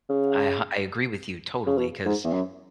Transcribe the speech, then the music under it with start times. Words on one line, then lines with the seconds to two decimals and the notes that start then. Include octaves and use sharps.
I h I agree with you totally 'cause,
0.09 C#3
1.67 C#3
1.77 B2
2.05 G#2
2.24 E2
2.33 F#2